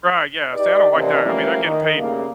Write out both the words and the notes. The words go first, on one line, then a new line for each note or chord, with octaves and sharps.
Right, yeah. See, I don't like that. I mean, they're getting paid,
D#4 G4 B4 D5
D#2 C3 E3 C#4 A#4 D5
E3 F3 G3 A3 A#3 C#4
D#3
G2 C#3 A3 A#3